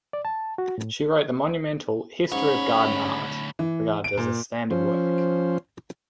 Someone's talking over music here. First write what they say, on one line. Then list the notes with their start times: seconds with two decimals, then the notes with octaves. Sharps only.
She wrote the monumental "History of Garden Art", regarded as a standard work.
0.13 D5
0.25 A5
0.58 F#4
0.78 A2
2.32 D2 G#2 C#4 C#5 B5
3.59 E3
4.04 D7
4.17 A#2
4.71 F3 C#4 C5